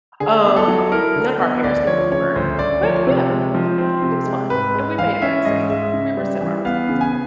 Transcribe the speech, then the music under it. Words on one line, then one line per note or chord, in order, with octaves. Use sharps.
Um, none of our parents knew where we were, but yeah, we were it was fun, and we made it back safe. We were semi-responsible.
D3 G#4
B3
A4
F#3
E4 A#4
D3
B3 D#5
D2 D5
F3 C#5
C#3 C#5
D2 C5
D2 D5
F3 C#5
C3
G#3
F3
C4
C3
G#3
G#2 B4
G#3
E3 F5
C#4 E5
G#2 D#5
G#3 E5
C#3
G3
E3
B3 F5
C#3
G#5